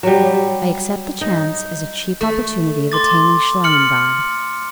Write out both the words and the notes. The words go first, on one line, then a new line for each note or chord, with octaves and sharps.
I accept the chance as a cheap opportunity of attaining Schlangenbad.'
F#3 G3
D#4
A3
C6 D6 A6
F6 C#7 F#7